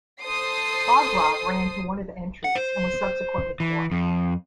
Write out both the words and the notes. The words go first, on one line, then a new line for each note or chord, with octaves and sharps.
Bogrov ran to one of the entries and was subsequently caught.
A4 C5 D#6 C7
F#5
C5
E3
F2